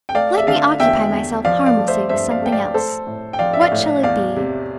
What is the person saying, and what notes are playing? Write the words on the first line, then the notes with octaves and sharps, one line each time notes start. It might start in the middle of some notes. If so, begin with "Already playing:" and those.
Let me occupy myself harmlessly with something else. What shall it be?
G5
A3 D5 F5
E5
D3 D5 F5
E2 E5 G5
E2
F3 D5 F5
D5 F5
A3
C5 E5
G2 C5 E5
D5 F5
A3 G5
D5 F5
A3 A4 C5
A2
G5
F3 D5 F5
E5
D5 F5
A2
E2 D5 F5
C3